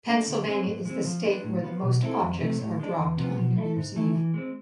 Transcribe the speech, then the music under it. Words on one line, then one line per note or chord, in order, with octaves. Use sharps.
Pennsylvania is the state where the most objects are dropped on New Year's Eve.
A3 D4 A4
D3
G#3 C4 G#4
G#2
G#3 C4
F3
G#3 B3 D4
A2
F3 B3
B2
G#3 C4 E4 A4
F2
C3 F3 A3
A2
G#3 D4
E2
C3 F3 B3
B2
A3 E4 A4
G#2
E3 A3 E4
E3
G#3 C4